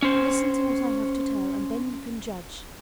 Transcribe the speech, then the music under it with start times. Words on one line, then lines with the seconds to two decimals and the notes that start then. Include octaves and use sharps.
Listen to what I have to tell and then you can judge.
0.02 C#4 C5